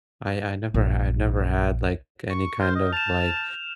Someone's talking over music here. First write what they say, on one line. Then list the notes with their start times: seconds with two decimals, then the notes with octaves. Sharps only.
I I never I've never had, like, any kind of, like,
0.74 A#1
2.30 C#6
2.60 C5 F6 G6
2.75 D#5
2.93 A5 E7 F7